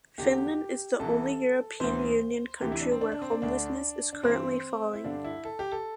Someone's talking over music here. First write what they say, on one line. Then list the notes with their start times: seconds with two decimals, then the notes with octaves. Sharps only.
Finland is the only European Union country where homelessness is currently falling.
0.18 E2 D3 G4
0.99 C2 C3 E3 A4
1.80 D2 C3 E3 C5
2.61 D2 C3 E3 G4
2.72 E4
2.81 D4
2.91 C4
3.01 D4
3.12 D4
3.22 C4
3.32 D4
3.42 D2 D3 D4
4.13 D4
4.23 G2 E3 C4
4.93 E4
5.04 G2 D3 D4
5.24 E4
5.45 A4
5.59 G4
5.72 A4